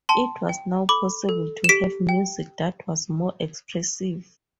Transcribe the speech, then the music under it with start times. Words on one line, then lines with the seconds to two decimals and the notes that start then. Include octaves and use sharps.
It was now possible to have music that was more expressive.
0.09 G5 A5 C6
0.49 G5
0.89 A4 B5 D6
1.29 A4
1.64 E7
1.69 G4 B6 D7
2.09 G5